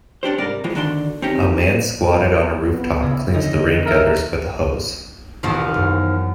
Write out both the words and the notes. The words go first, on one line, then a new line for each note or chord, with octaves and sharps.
A man squatted on a rooftop cleans the rain gutters with a hose.
C#4 D4 G4 C5
C2 G#2 G3 A#4 D5
E2 B2 E3 F3 G#3
D3 D#3 D4 F#4 A5 C6
C4 C#4 D#4 G4
B3
C#3 E4
D3 C#4 D#4 D#5
A4 A#4 E5 A#5
E1 C2 D#3 F3 C7
F#2